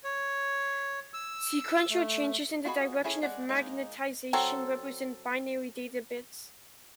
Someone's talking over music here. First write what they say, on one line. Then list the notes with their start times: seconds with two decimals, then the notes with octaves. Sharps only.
Sequential changes in the direction of magnetization represent binary data bits.
0.04 C#5
1.14 E6
1.90 A3
2.65 F4 F#4 G#4 D#5 B5
3.04 C#4 E4 G#4 A4 C#5
3.23 G#3 D5 F#5
3.49 G#3 A#3 D#4
4.33 F#3 C4 A4